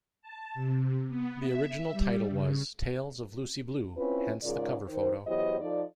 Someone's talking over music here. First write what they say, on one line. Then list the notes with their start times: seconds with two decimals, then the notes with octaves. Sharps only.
The original title was "Tales of Lucy Blue", hence the cover photo.
0.22 A5
0.54 C3
1.09 B3
1.40 E5
1.92 G3
2.30 C#3
3.98 C4 C#4 E4 F4 B4
4.44 G#2 C#3 F4 G#4 A#4 D5
4.88 D#3 C5
5.27 E2 F#3 E4 G4 C5 D#5
5.61 F3 D#4 A4 D5